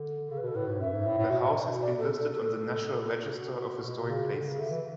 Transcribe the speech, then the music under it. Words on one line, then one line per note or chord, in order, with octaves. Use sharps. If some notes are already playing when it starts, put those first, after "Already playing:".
The house has been listed on the National Register of Historic Places.
Already playing: D3
C#3 A4
B4
B2 A4
A2 B4
G#2
F#2 E5
G#2
A2
A2
B2
D5
A4
A4
A4
F#4
B2
C#3
D3
C#3
D3 E5
E3